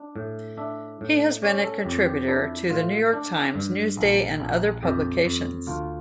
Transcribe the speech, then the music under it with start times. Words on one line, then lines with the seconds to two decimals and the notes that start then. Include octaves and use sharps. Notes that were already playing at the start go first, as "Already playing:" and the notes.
He has been a contributor to "The New York Times", "Newsday" and other publications.
Already playing: D4
0.16 A2
0.57 D4 E5
1.01 A2
1.42 C#4 D5
1.64 A4
1.85 F2 G4
2.06 G4
2.28 D4 E4
2.70 A2 F4
3.13 D4
3.55 G2
3.97 A#1
4.40 A#1
4.83 F2 G4
5.24 F2
5.67 D2 F4